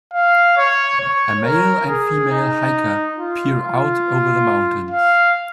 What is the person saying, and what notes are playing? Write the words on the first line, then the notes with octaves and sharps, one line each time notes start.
A male and female hiker peer out over the mountains.
F5
C#5
C#5
A#4
G#4
D#4
F4
F4
F5